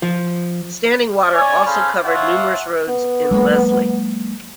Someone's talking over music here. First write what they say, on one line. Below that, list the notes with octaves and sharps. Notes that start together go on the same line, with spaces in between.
Standing water also covered numerous roads in Leslie.
F3
C#5 D5 G#5
C#4 G#4 A4 C5 F5 B5
F4 C#5 E5 F#5 A5 C6
B3
F#3 G#3 A#3